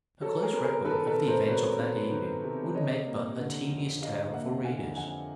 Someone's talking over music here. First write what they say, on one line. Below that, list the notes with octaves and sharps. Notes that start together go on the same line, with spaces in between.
A close record of the events of that evening would make but a tedious tale for readers.
F#3 A4
G#4 A#4
B3
G#4 A#4
D#3 A4 B4
A4 B4
C3
A#4 C5
F#3 B4 C#5
B3
D#3
C3
G3 C#5 D#5
A#3
D3
F2
G3 D#5 F5
A#3 E5 F#5
D3 F#5 G#5
F2 F#5 G#5